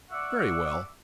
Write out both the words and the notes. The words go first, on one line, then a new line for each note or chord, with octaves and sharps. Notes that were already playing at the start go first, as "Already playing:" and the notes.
"Very well."
D5 E5 F#5 C#6 D6 E6